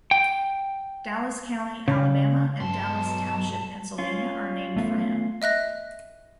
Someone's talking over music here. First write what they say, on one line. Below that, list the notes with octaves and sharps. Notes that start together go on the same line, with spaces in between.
Dallas County, Alabama and Dallas Township, Pennsylvania are named for him.
G5
C#3
B1 G2 A5 C6
C#4 F4
A3 B3
D#5 E5 F#6 A#6